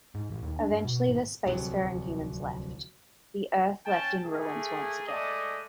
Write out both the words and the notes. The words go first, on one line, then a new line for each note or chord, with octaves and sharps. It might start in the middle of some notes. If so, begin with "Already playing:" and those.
Eventually the spacefaring humans left, the Earth left in ruins once again.
G#2
A1
D#2
D4
G2
B2
G#1
D1 C2 F2 F#3
C#4 G5 A5
A3 A#3 G#4
G#3 A3 D5 D#5